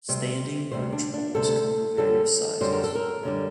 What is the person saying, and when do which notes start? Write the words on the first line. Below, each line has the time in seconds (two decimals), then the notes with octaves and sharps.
Standing perch poles come in various sizes.
0.08 D2 C3 G3 C5
0.72 D2 C3 G3 C5
0.92 D4
1.14 D4
1.34 D2 C3 G3 A4
1.98 F#2 D3 G3 A4
2.61 F#2 D3 G3 C5
2.72 A#4
2.84 A4
2.95 A#4
3.23 F#2 D3 G3